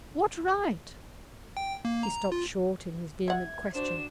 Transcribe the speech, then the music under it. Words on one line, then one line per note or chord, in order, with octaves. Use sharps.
What right--?' He stopped short in his vehement question.
G5
A#3
A#5
F4
E5 F#5 G#6
D4 F#4 C5 E7